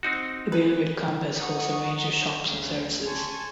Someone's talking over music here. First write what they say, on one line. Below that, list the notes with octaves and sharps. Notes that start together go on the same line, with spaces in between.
The Bailrigg campus hosts a range of shops and services.
C4 D#4 F#4
B4
D#5 F#5 A#5 C#6 D#6
D2 C#3 F5
G#5 A5 C6 C#6 G#6